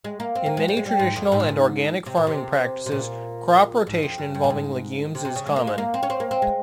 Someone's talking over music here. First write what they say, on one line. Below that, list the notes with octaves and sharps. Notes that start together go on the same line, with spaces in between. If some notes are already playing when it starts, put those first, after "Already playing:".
In many traditional and organic farming practices, crop rotation involving legumes is common.
G#3
A#3
C4
A#3
G#3
G3
G#3
G3
G#2
F2
G#2
A#2
G#2
C3
A#2
C3
C3
A#2
G#2
F2
G2
G2
A#2
G#2
C3
C3
C#3
G#3
A#3
G#3
A#3
C4
C#4
C4
A#3
C4
G#3